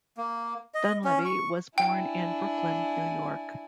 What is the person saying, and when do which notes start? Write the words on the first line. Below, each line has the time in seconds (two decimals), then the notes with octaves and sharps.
Dunleavy was born in Brooklyn, New York.
0.17 A#3
0.74 D#5
1.04 C#4
1.25 C#6
1.78 D4 E4 G5 G#5